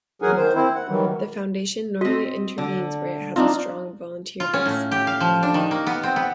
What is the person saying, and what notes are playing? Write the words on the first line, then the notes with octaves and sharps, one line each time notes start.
The Foundation normally intervenes where it has a strong volunteer base.
E2 F#3 G#4 A#4 F#5 G#5
D#3 C5
C4 E4 C5
F#5
D#3 E3 F#3 G3
C4 F#4 D#5
D3
C4 D4 D#4 F4
F4
C#4
A2
G4
F5
F3
D4
D#3
A#3
B3
C4
B3